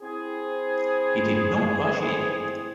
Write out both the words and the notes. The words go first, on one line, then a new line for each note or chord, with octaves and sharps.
He did not rush in.
C4 E4 G#4